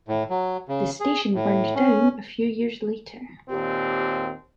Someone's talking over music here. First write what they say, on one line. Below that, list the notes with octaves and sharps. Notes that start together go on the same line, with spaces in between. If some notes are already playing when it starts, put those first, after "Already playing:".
The station burned down a few years later.
A2
F#3
C#3
G#4
A2
C#4
D#2 A#2 C4 G4